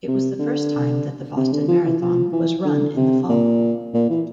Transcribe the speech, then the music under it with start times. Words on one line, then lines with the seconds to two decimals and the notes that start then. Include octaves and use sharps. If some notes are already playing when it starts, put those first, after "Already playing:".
It was the first time that the Boston Marathon was run in the fall.
0.08 C3
0.39 D3
1.37 C3
1.53 D3
1.68 F3
1.84 E3
2.01 F3
2.32 E3
2.65 D3
2.96 C3
3.29 A#2
3.94 A#2
4.09 E3